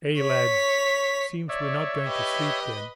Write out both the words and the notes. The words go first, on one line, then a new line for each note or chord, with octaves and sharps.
"Eh, lads! seems we're not going to sleep, then?"
C#5 B6
C#5 D5 E5
G4 B4 D#5